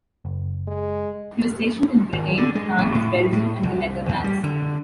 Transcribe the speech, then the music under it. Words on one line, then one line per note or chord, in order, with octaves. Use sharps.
He was stationed in Britain, France, Belgium and the Netherlands.
F#1
G#3
G#1
D3
G#3
A1
A2
A2
C2
E2
G3
D3